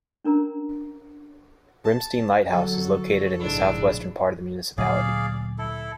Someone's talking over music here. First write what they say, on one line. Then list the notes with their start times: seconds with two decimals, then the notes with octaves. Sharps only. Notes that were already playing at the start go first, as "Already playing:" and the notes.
Bremstein Lighthouse is located in the southwestern part of the municipality.
0.24 C#4 D4 A#4 A#5
1.85 A5
2.52 D3 F#3 F#4 A4
3.40 A#1 G#2 C#3 G#3 D4 E4 E6
4.78 D2 A#2 F#3 G#4 D5 F5
5.58 E4 A4